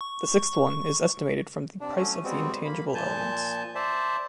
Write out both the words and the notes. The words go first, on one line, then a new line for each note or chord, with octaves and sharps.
The sixth one is estimated from the price of the intangible elements.
C#6
C3 D4
F#3 A3 C#4
G3 G#3 B3 C4 F#4
A#3 B5
A#2 F3 G#5 A5 G6
C5 D5 E5 A5